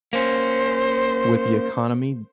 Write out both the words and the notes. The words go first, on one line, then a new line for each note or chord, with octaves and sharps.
with the economy
A#3 C#4 C5